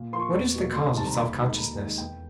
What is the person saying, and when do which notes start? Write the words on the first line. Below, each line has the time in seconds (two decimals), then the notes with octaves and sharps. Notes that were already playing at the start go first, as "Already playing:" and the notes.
What is the cause of self-consciousness?
Already playing: A#2
0.13 F3 A#3 C6
0.20 C#6
0.33 E2
0.54 B2 F#3 A#3
0.74 D2 C6
0.95 C3 D#3 G3 A5
1.07 A#5
1.15 D#2 B5
1.36 D#3 G#3
1.46 B5
1.57 D#2 A#5
1.79 D#3 G#3
1.98 E2 G5